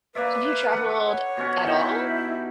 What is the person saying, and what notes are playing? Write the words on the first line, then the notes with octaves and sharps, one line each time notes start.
have you traveled at all?
A#3 B4 D5 E5
A4 F#5 B5
C#5
B2 C#4 F#5
D#4 E4 G4